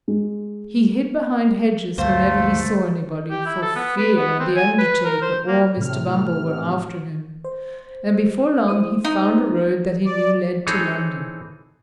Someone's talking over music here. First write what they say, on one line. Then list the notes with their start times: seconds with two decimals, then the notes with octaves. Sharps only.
He hid behind hedges whenever he saw anybody, for fear the undertaker or Mr. Bumble were after him, and before long he found a road that he knew led to London.
0.08 G#3
1.98 D2 G2 A3 C5 F5
3.30 G4
3.46 E4
3.62 A4
3.76 B3
3.98 B4
4.17 B3
4.40 C4
4.56 G#5
4.79 B4
5.05 A#4
5.22 C5
5.48 A#3
5.77 A2 C3 F6
7.44 C5
8.68 E4 C5 D#6
9.05 D#4
10.06 D5
10.67 E3 C4 D#4 G#4 A4 C#5